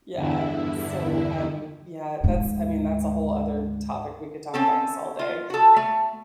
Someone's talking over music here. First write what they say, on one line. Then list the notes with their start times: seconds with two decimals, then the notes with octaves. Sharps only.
Yeah, so, um, yeah, that's I mean, that's a whole other topic, we could talk about this all day,
0.13 E2 G2 D3 E4
2.24 D2 G#2
4.54 C4 C#4 A4
5.19 F4
5.50 F#4 A4
5.76 A3